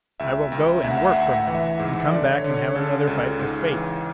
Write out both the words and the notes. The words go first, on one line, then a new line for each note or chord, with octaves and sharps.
I will go and work for money, and come back and have another fight with fate.
C#2 E5
C#2
D2 E5
F#5
E5
F#5
E5
D2 F#5
E5
F#5
E5
E3 F#5
E5
G#2
D3 D5
C#5
D3
C#5
C#3 A4
C#2
G#2
E3